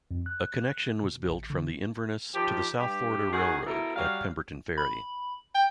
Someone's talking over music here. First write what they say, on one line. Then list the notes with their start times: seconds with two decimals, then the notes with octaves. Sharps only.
A connection was built from Inverness to the South Florida Railroad at Pemberton Ferry.
0.11 F2
0.26 F#6
1.03 B2
1.28 A1
1.50 D3
2.34 D#3 F3 G4
2.80 G2 G4
3.33 D#3 F#4 G#4
3.67 B2 E4 A4 A#4
3.96 F#3 G3 F5
4.78 B5
5.54 G5